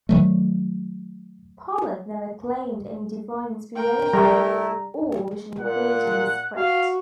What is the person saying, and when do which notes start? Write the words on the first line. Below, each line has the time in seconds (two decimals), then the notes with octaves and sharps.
Pollard never claimed any divine inspiration or vision in creating the script.
0.09 D#3 F#3 A3
3.75 A#4 G5
4.13 G3 A3 E4 A#5
5.60 A#2 F#5
6.57 F#4 F5